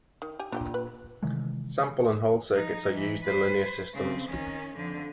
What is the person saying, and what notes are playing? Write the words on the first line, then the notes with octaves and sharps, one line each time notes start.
Sample and hold circuits are used in linear systems.
D#3
G4 G#5
A#2 D4 G4 G5
B4
C3 D#3 E3 G#3
F3 D#4
E3
B4 C5
C#3 C4
D#3 C#4
F2 D3